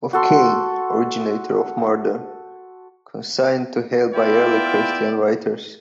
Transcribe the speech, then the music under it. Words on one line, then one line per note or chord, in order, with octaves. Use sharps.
Of "Cain", originator of murder, consigned to Hell by early Christian writers.
F#4 A4 C6
B3 E4 F4 D5 E5 G5